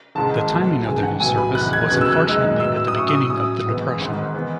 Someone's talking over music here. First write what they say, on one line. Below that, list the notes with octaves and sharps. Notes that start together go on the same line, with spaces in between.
The timing of their new service was unfortunately at the beginning of the depression.
A1 G#2 D#3 G#3 A5
B1 B2 A3 E4
D#2 C#3 E3 G#3 G#5
F#5
B1 A2 F#3 B3 E4 G#5
B5
F#1 E2 D#3 F#6
G#6
D#2 C#3 F#3 B3 F#6
E6
F#6
F#2 D#3 G#3 D#4
A2 F#3 B3 E6
E6
D#6
A2 F#3 C#4 E4 C#6
D#6
A2 F#3 C#4 D#6
G#1 G#2 E3 B3
G#1 G#2 D#3
E3 B3